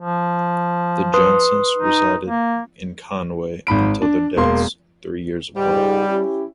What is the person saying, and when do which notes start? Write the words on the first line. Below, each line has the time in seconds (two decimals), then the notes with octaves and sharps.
The Johnsons resided in Conway until their deaths, three years apart.
0.01 F3
1.14 B4 C6 D#6
1.78 D#4
2.26 A#3
3.67 G#1 G#2 B5 D7
4.02 D4
4.37 E1 A#3 C6
5.56 C#2 G#2 G3
6.07 C#4 E4 G4